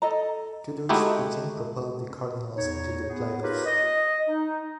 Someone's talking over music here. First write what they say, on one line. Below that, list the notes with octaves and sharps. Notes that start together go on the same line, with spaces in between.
Tudor's pitching propelled the Cardinals into the playoffs.
A4 D#5 A#5
G#3 A3 D#4 E4 F#4 G4
E2 D#4 C#5
B3 G#4
D#4 F4 G4 A#4 B4 C#5
D#5
D#4